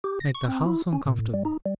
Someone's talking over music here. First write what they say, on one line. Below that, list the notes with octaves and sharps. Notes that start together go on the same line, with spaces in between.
I make the house uncomfortable.
G4
A#6
C#6
C4
E4
C#4
A#2
A2
G3
D#4
G3